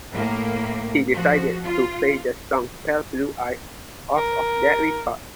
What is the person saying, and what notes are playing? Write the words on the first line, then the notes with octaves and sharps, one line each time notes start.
He decides to play the song "Pale Blue Eyes" off of that record.
A2 A#3
F3 F#4
F4
A#4